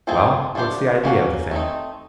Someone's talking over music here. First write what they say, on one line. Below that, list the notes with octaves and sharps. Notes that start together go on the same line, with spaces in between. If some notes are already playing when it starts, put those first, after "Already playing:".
"Well, what's the idea of the thing?"
F3 A3 C4 D#4 G#4
F3 A3 D4 G4 C5
F#3 A#3 C#4 F#4
A3 C4 D#4